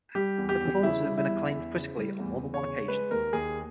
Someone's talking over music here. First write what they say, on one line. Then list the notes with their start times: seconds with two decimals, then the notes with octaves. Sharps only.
Her performances have been acclaimed critically on more than one occasion.
0.15 G3 G4
0.38 E2
0.49 G4
0.60 E2
0.83 C#3 E4
1.06 G3
1.18 E4
1.29 E2
1.51 E2
1.74 C#3
1.98 G3
2.20 E2
2.43 E2
2.54 C#5
2.65 C#3
2.88 G#3 B4
3.11 D#2 A#4
3.33 D#2 G#4